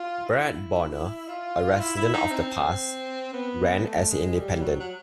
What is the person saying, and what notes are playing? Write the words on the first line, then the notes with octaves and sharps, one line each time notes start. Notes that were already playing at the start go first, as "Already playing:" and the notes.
Brad Bodnar, a resident of The Pas, ran as an independent.
Already playing: F4
E4
F4
E4
E4
D#4
C4
B3
A3
G#3
G3
G3
F#3
F#3